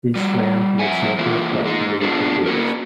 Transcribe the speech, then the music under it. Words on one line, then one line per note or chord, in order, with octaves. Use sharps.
This round was never factory produced.
G3 F#4
F2 E5 F#5 G#5
E3 A3 A#3 F4
G#2 G#3 D#4
B3 D4 F4 F#4 G#4 A4
A#3 C#4 F#4 A#4